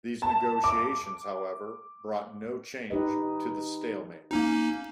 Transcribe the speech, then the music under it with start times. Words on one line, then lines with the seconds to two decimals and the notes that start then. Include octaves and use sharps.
These negotiations, however, brought no change to the stalemate.
0.22 A5
0.64 D6
2.90 D#4 G4 B4 D#5
4.31 A#3 C#4 D#4